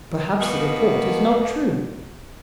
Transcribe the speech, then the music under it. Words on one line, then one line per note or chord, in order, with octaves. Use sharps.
Perhaps the report is not true?
B2 D#3 A#3 B3